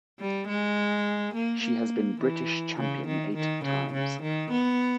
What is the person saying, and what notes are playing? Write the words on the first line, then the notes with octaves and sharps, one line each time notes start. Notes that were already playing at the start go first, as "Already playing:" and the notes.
She has been British champion eight times.
G3
G#3
A#3
A#3
E3
C#3
D#3
D#3
C#3
C#3
D#3
B3